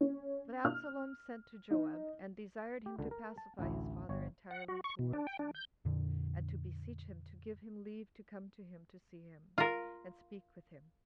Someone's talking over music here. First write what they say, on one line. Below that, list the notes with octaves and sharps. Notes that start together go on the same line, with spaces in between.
But Absalom sent to Joab, and desired him to pacify his father entirely towards him; and to beseech him to give him leave to come to him to see him, and speak with him.
C#4
F6
D#4
G4
C#2 D3
A#4
A5
A1 D2 E4
G1 C#5
F#5
F#4
C#6
B2
D4
G5
D4
G6
F2 A#2 D3
F4 A#4